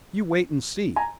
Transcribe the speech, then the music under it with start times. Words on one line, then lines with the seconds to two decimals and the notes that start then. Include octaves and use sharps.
You wait an' see.
0.96 G#5 A#5